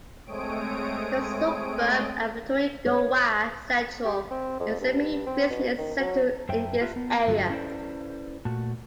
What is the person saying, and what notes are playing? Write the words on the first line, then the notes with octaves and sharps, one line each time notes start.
The suburb of Thuringowa Central is the main business centre in this area.
G#3 A3 C4 C#5 D#6 D7
C#5
G4
C4
F2
G2
C4
B2
D#3
F#3
F#2 C5 E5 G5
F4 G4 B4 E5
B3
G2 D3 F#3 F4 F#4
C#4 E4 A4 B4 C5 D5
A#2 A3 F#4 A5